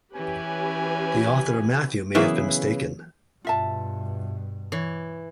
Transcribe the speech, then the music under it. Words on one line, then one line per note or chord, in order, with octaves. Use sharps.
The author of Matthew may have been mistaken.
E3 C#4 G4 B4 G#5
C#3 E3 F#3 A#3 B3 E4 G#4
G2 B2 F4 E5 A5
E3 C#5